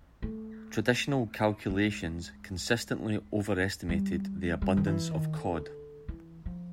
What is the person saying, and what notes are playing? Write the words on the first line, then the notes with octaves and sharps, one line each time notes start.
Traditional calculations consistently over-estimated the abundance of cod.
A3
G#3
G3
G3
D#3
E3
D#3
D3
E3
F3